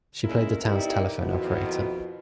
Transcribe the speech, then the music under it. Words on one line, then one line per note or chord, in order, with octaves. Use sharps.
She played the town's telephone operator.
A#2 C#3 G#3 A#3 E4 A#4
G2 C3 G3 D#4 E4 A#4
F2 B2 D#3 B3 E4 F4